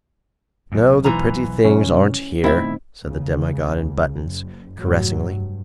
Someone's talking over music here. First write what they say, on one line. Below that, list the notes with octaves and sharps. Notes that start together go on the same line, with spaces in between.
"No, the pretty things aren't here," said the demi-god in buttons, caressingly.
B1 E2
G#2 E3 A#5
E1 F#3 C#4
D#1 A3 B3 C4 D#4 E4 E5
C#2 C#3
F#1
F1 G#2 F#3
G2